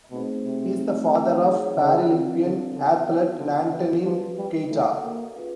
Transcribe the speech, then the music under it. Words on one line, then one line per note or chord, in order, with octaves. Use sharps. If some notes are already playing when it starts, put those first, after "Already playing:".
He is the father of Paralympian athlete Nantenin Keita.
B2 A3 C4 D#4 G#4 C5
C3
A3 C4 D#4 G4
D#4 G#4 C#5 F#5
C#3
C4 F4 A#4 D5 F5
D3
D3 B3 D#4 F#4 A#4 D5
D#3
D3 B3 D4 F#4 A#4
E3
F3 C#4 F#4 B4 D5
G3
A3 D#4 F#4 A4 D5 F#5
A#3
C#4 F4 G#4 B4